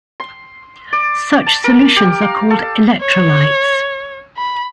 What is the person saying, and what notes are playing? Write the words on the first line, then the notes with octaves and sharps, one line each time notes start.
Such solutions are called electrolytes.
C6
D5
A5
A#4
G4
F5
A4
C#5
B5